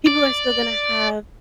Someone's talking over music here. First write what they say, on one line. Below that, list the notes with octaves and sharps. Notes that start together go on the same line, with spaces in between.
people are still gonna have
D5